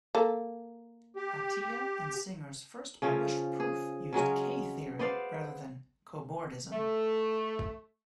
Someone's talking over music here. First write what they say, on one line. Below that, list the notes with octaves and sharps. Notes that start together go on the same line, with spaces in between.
Atiyah and Singer's first published proof used K-theory rather than cobordism.
A#3 A4
G4
C#3 F3 C#4
G#4
C#3 F#3 G#3 C#4
B3 C5 D5 F5
A3